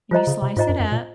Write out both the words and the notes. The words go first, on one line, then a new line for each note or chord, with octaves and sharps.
and you slice it up
F3 F4 C5 D#5 A#5
C#3
C3
G#2 F4 C5 D#5 A#5
F#2
F#2
A#2